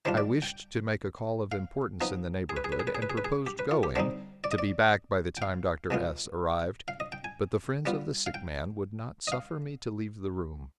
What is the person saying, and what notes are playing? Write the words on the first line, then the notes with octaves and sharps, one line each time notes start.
I wished to make a call of importance in the neighbourhood, and proposed going, to be back by the time Dr. S-- arrived; but the friends of the sick man would not suffer me to leave the room.
D#3 G3 D4 F4 C5
D5
G5
F5
F3 B3 D#4
G#4
B4
G#4
B4
G#4
B4
G#4
B4
G#4
B4
G#4
G4
B4
F4
G4
D3 G3 C4 D#4 C5
D5
D#5
D5
G5
F5
B2 G#3 B3 F4
F5
D#5
G5
G#5
G3 B3 F4
F5
G5
D#5
F5